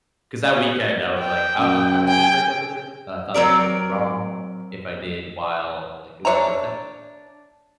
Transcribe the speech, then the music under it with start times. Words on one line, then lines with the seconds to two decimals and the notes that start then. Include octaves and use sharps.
'cause that weekend, I was like, I I kinda wanted to break up with her, but I thought it would have been wrong if I did while, like, it was her birthday,
1.20 G5
1.58 F#2
2.07 G5 G#5
3.34 F#3 C4 A#4 D5
6.25 D4 C#5 E5 A#5